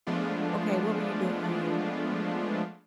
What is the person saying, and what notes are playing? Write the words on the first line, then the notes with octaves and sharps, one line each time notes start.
"Okay. What were you doing?
F3 G#3 A3 B3 D4 F4